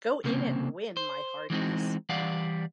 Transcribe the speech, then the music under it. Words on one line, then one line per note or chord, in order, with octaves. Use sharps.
Go in and win, my hearties!
C2 C#3 A#3 C4
C5
E3 G#3 C4 D#4
E3 G3 D5 F5 F#5